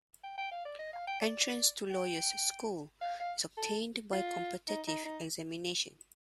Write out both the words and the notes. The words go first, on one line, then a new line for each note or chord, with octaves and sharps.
Entrance to Lawyer's School is obtained by competitive examination.
G5
G5
F5
D5
D#5
F5
G5
D5
G5
F5
F5
A4
F4
D#4
D#4
D#4